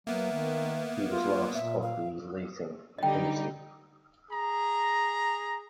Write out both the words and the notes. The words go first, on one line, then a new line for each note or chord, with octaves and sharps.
He was the last of the Lething Dynasty.
F#3 A#3 B3 E5
D#3
F4
A#2 E5
F5
D3 G3 D#4 D#5 G5
G#4 A#5